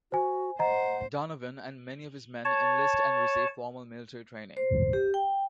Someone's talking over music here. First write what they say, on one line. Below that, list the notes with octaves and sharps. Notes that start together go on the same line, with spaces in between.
Donovan and many of his men enlist and receive formal military training.
F#4 C5 G#5
C5 D#5 F#5 A#5
C#5 A5
C5
G4
G5